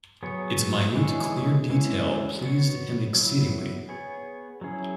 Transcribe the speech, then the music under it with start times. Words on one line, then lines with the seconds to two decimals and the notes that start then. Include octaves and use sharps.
Its minute, clear detail pleased him exceedingly.
0.23 F#3 B3 G#4 C#5
0.95 E3 G#3 E4 G#4 C#5
1.70 E3 G#3 C#4 E4
2.42 B3 F#4 C#5
3.15 F#3 B3 E4
3.89 B3 G#4 C#5
4.61 F#3 C#4 E4 G#4